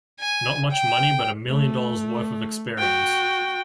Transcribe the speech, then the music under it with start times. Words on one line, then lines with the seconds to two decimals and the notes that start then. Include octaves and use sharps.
Not much money but a million dollars worth of experience!
0.20 G#5
0.72 G5
1.50 A3
2.78 F#4 G5